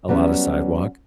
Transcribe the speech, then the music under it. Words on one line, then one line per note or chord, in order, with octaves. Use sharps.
a lot of sidewalk.
F#3 G3 B3 C#4